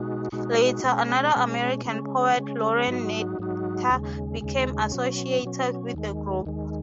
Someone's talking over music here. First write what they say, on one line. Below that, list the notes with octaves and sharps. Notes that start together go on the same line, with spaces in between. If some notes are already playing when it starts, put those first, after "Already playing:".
Later, another American poet, Lorine Niedecker, became associated with the group.
Already playing: B2 G#3 D#4 F#4
B2 G#3 D#4 F#4
B2 G#3 C#4
B2 G#3 C#4
C#3 G#3 C#4
C#3 G#3 C#4
G#2 F#3 D#4 F#4
G#2 F#3 D#4 F#4
D#2 C#3 G#3
D#2 C#3 G#3
B2 F#3 C#4
B2 F#3 C#4
D#2 D#3 G#3
D#2 D#3 G#3